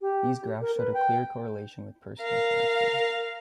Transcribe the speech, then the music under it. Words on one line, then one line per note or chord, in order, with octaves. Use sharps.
These graphs showed a clear correlation with personal characters.
G4
A#4
B4
G5
A#4 F5